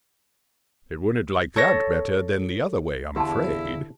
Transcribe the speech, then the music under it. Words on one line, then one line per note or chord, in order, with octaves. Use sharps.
"It wouldn't like that better than the other way, I'm afraid?"
A4 C#5 A#6
E2 D3 E4 G4 F5 A5